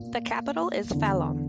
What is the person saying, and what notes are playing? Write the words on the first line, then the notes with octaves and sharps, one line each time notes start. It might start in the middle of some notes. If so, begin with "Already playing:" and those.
The capital is Phalombe.
Already playing: A#2
E2 D3